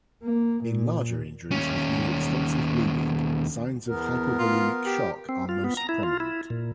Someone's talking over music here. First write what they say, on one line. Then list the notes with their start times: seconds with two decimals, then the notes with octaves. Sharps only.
In larger injuries with more extensive bleeding, signs of hypovolemic shock are most prominent.
0.23 A#3
0.64 A#2
1.51 D#2 C#4
3.88 E2 B3 A#4
4.39 F4
4.86 G4
5.29 C4
5.49 F4
5.64 B3
5.77 A#5
5.89 E4
6.03 F4
6.20 E4
6.50 A#2